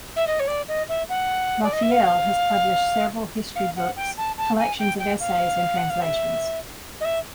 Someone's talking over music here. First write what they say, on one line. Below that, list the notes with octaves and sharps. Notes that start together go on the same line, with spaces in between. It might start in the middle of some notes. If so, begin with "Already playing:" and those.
Raphael has published several history books, collections of essays and translations.
E5
D#5
C#5
D5
D#5
E5
F#5
D5
D#5
E5
F5
F5
F#5
G5
A5
A5
G#5
G5
G5
F5
F#5
F5
E5
D#5
E5